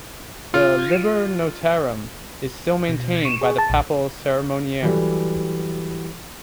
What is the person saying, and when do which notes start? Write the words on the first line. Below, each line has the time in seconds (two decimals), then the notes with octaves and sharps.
The "Liber Notarum" is still maintained by the papal Ceremoniere.
0.54 F4
2.89 B2
3.25 C#6
3.41 G#4
3.58 A5
3.70 A#1
4.83 E3 F#3 G3 A4